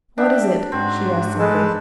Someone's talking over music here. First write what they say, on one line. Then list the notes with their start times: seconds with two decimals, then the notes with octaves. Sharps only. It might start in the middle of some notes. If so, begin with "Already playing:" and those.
"What is it?" she asked simply.
0.18 D4 E5 G5
0.72 G#2 C4 F#4
1.39 G#3 A4 B4 A5